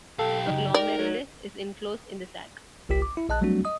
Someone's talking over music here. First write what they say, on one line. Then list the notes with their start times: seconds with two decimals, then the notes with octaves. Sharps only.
A glomerulus is enclosed in the sac.
0.19 B1 G4 A4 F5
0.47 C#3 F#3 D#4
0.74 A#4 D5
0.97 F#3
2.89 G1 C2 F4 G4 B6
3.02 D6
3.17 E4
3.29 A#1 D#5 A5 F#6
3.41 F#3 G3 A3 C4 D4 F#4
3.65 D#5 D#6